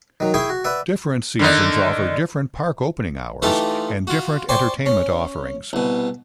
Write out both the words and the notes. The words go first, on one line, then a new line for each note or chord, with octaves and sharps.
Different seasons offer different park opening hours and different entertainment offerings.
D#3 F#3
E4 G#4 E5 G5 C#6 D#6
F#4
B4 D5 E5 F#5
D3 D#3 D#4
E3 A3 D#4 F4 G4 A4
F4 F#4
C5 D5 G5 G#5 C6 C#6
C#4
C2 B2